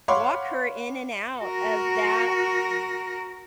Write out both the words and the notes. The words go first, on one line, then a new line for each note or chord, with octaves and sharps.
walk her in and out of that
C#5 F5 F#5 B5 C6 D6
F#4 A#4